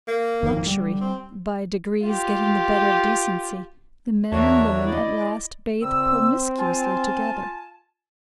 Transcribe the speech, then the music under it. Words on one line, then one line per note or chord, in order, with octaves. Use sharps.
Luxury, by degrees getting the better of decency, the men and women at last bathed promiscuously together.
A#3
G1 F2 D#3
D3 G3
C4
F4 G4
E2 D4 F#4 A#4 C#5 E5 A5
E4 D5 D#5
A#2 C#3 C4 E6
F4 G#5 A5